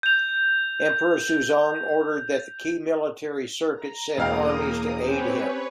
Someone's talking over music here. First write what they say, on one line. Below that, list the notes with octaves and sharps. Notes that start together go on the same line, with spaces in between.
Emperor Suzong ordered that the key military circuits send armies to aid him.
G6 F7
A#5
E1 A#3 F5 G5 D#6
C4 C#4 G4 B4 C#5